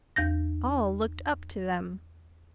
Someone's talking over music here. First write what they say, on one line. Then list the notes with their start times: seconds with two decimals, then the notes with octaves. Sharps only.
All looked up to them.
0.16 E2 G6 A#6